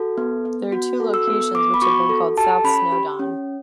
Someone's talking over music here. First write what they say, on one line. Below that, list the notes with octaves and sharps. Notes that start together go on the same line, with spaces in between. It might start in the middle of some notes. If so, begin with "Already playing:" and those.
There are two locations which have been called South Snowdon.
Already playing: F#4 A4
B3
B3
F#4
A4
E6
B3
B3 D6
B5
F#4 C#6
A4
G4 A5
C#4 B5
G4
C#4